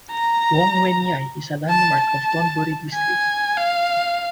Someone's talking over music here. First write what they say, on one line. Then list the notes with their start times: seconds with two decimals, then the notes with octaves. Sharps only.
Wong Wein Yai is a landmark of Thonburi District.
0.12 A#5
1.69 A5
2.00 A5
2.94 G#5
3.57 F5